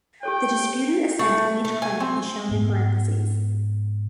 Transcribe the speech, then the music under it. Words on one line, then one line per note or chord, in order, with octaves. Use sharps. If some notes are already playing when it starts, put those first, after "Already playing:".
The disputed ascent in each claim is shown in parentheses.
G4 A4 C#5 G5
A3
A3
G#5
C4
G#2 B3